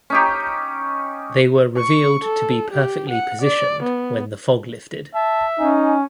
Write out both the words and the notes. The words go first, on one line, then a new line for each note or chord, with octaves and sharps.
They were revealed to be perfectly positioned when the fog lifted.
C#4 D#4 G4
C#6
A4
G4
F#5
D5
B3
E5 A5
C#4 D#4 G#5